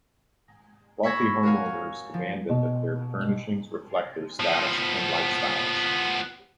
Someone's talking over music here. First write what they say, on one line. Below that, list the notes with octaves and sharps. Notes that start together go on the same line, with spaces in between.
Wealthy homeowners demanded that their furnishings reflect their status and lifestyles.
B5 C#6 E6 G#6 A#6 B6
F#4 A#4 C#5 F5 G#5
F3
B2
F3 B3